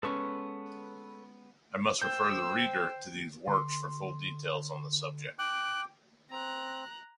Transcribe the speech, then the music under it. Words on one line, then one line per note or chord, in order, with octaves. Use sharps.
I must refer the reader to these works for full details on the subject.
G#3 B3 C#4 A4 B4 C#6
C5 G5 E6 G6
D3 C6
G5 D6 F#6
C4 A#5 F#6